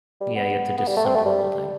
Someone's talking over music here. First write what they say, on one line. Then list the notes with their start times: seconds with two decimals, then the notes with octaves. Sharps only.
Yeah, you've to disassemble the whole thing.
0.21 G3
0.35 B3
0.78 B3
0.88 G3
0.97 A3
1.06 C4
1.16 A3
1.26 G3